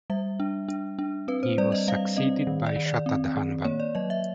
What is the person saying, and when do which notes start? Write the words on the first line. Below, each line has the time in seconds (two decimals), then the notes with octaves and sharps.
He was succeeded by Shatadhanvan.
0.10 G3 E5
0.40 D4
0.68 D4
0.99 D4
1.28 C4 B4
1.43 C5
1.58 G3 D5
1.72 D#5
1.88 G3 F5
2.17 C4 D#5
2.47 D#3
2.66 D5
2.76 D#3
2.86 D5
3.06 C4
3.36 D#3
3.65 A#3 C#5
3.80 D5
3.95 F#3 D#5
4.10 E5